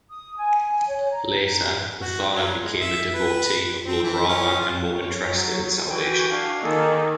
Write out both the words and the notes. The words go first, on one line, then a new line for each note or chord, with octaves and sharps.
Later, Pothana became a devotee of Lord Rama and more interested in salvation.
D#6
G#5
C#5
A#5
F#4
F#3
G#3
E5
B4
C4
E3
C#4
F4
C#5
F#3
E3 F#4 G5 G#5
D4 F5
D#3 A#3 D#4 G#4 A4